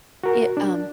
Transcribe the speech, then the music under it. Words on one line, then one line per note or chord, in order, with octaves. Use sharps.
Ye um
F#4 A#4
D4